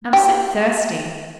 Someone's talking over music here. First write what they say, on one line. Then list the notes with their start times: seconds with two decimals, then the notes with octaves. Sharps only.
"I am so thirsty."
0.13 G4